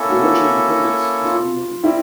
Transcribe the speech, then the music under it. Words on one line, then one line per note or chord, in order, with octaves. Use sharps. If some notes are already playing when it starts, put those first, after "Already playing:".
The origin of the codex is unknown.
Already playing: A#3 C#4 E4 A4
F#4
F4
G3 C4 E4